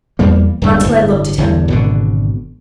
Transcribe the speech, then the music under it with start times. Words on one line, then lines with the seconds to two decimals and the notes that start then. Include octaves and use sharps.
Montalais looked at him.
0.19 E2 G3 A#3
0.62 D1 G2 G#3
0.82 G1 A2
1.38 G1 E2 G2
1.68 G#1 B2 D3